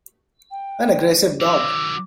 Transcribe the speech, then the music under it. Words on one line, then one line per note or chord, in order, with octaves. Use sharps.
An aggressive dog.
G5
D#3 F#3 D6 E6